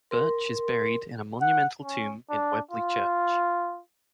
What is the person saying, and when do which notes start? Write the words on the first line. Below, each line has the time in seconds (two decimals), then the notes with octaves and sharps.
Birch is buried in a monumental tomb in Weobley Church.
0.11 A#4 C6
1.41 F#5
1.83 C#4
2.30 D4
2.71 F4